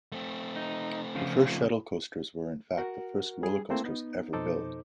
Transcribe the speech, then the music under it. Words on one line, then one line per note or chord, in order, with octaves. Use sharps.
The first shuttle coasters were in fact the first roller coasters ever built.
A3 C4
D#4
C#3 F3 F4
F#4 A#4 F#5
G3 G#4
A3 A#3 C4 E4 C5
B3 D#4
F2 B2 D#4 A4 C5 D6